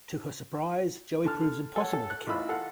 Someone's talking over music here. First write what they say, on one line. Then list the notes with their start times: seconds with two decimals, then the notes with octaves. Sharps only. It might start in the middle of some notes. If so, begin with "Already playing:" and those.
To her surprise, Joey proves impossible to kill.
1.25 D3 A5 F6
1.76 A4 C#5 F#5
1.93 A4
2.10 F#6
2.27 A1 D#4 F4 B5 E6
2.49 A4 F5 F#5